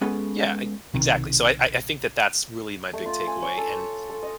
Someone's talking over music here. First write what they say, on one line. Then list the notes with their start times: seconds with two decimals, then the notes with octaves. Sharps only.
Yeah, e exactly. So I I I think that that's really my big takeaway and
0.01 G#3 B3 C#4 A4 B4
0.94 B1 C3 D#3
2.93 A3
3.06 F4
3.27 G#5
3.42 C#5
3.58 A4
3.72 C#5
4.09 A4
4.22 D#5